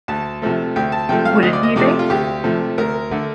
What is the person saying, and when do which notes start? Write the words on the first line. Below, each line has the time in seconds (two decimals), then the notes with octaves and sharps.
Wouldn't you be?
0.08 D2 A5
0.42 C3 F3 A3
0.76 D2 G5
0.92 A5
1.09 C3 F3 A3 G5
1.25 F5
1.43 D2 D#5
1.53 D5
1.63 D#5
1.76 C3 F3 A3 D5
1.99 F4
2.10 D2 G4
2.44 C3 F3 A3
2.78 D2 A#4
3.11 D3 A3